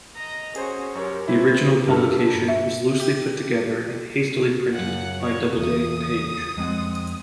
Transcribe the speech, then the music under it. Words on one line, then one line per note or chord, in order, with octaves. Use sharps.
The original publication was loosely put together and hastily printed by Doubleday, Page.
D#5 A#5
C#4 F#4 G#4 C5
F#2 G4 A#4 C#5
C4 E4 G4 B4
G2 A4 A#4
E5
G4
F#2 C#3 F#5
C#5
E2 A3 D#6
F2 G#3 C4 F#5